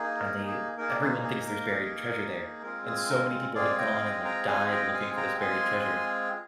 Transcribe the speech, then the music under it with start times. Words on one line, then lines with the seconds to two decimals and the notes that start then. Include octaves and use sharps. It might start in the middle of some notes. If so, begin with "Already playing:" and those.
and they everyone thinks there's buried treasure there, and so many people have gone and, like, died looking for this buried treasure,
Already playing: A#3 D#4 G#4
0.16 A#4
0.46 G#4
0.78 A#3 D#4 G#4 A#4
0.89 D5
1.01 G#4 C5
1.24 G#4
1.47 A#4
1.70 A#3 D#4 G#4
2.63 G#3 C4 F4 G#4 A#4
2.86 G#4
3.09 A#4
3.55 G#3 C4 F4 G#4 D5 F5
3.78 D#5 G5
3.94 F5
4.01 D#5 G5
4.24 G5 A#5
4.47 G#3 C4 F4 G#4 F5 G#5
4.71 D#5 G5
4.94 F5 G#5
5.17 G5 A#5
5.40 G#3 C4 F4 G#4 G#5 C6